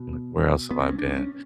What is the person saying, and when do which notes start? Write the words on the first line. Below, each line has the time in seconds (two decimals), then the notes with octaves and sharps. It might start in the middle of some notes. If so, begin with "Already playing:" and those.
like, where else have I been?
Already playing: B2
0.71 B3
0.80 C4
0.90 C#4
0.99 D4
1.17 C#4